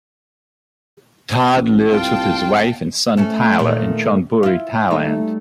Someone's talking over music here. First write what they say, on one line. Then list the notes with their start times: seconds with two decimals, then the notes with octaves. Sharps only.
Todd lives with his wife and son Tyler in Chonburi, Thailand.
1.56 A1
1.92 C2 F4 F5 G5 A5
3.17 A3 C#4 A4
3.59 A#2 D#3 A3
4.43 E4 F4
4.90 G3 A3 D#4